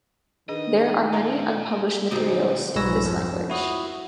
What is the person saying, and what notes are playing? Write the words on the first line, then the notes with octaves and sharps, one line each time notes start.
There are many unpublished materials in this language.
D#3 D4 G#4 B4 D#5
A#3 F4 E5 A5 A#5
A#2 D3 G#3 C4 D#4 F#4 G4 C5
B1 G#2 B4 C#5 E6 A#6
F2 F3
E4 F#4 D#6